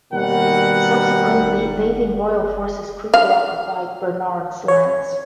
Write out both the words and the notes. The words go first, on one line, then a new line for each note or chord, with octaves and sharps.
Subsequently invading royal forces quickly occupied Bernard's lands.
D#2 B2 G3 A#4 F#5
F5
C#5